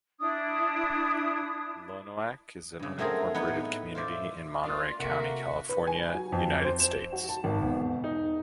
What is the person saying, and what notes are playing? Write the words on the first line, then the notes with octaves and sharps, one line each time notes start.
Lonoak is an unincorporated community in Monterey County, California, United States.
D4 E4 D#6
G2 C#3
F#3 A3 C4 G#4 A#4
B3 D#4 B4 C#5
A2
F4 C5 D5 E5
A#3 D4 F4
C3 A3 A#3 F#4 F#5 C6 B6 C#7
B4
G#5
F#3
F2
C5
E7
F#4
A5
G#1
E1
D#4